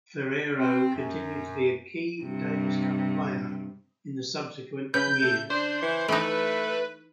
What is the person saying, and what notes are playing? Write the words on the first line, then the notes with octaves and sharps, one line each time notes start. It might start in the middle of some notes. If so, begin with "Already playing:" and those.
Ferrero continued to be a key Davis Cup player in subsequent years.
C4
F#2
G2 C3
C#3 B4 G6
A3
D4 C5
E3
E3 A3 D#4 B4